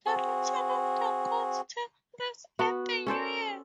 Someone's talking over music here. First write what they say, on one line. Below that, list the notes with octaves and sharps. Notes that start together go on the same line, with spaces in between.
The return of the ghosts takes place at the New Year.
C4 F#4 G#4
B3 F#4
C#4 A4 C5 D5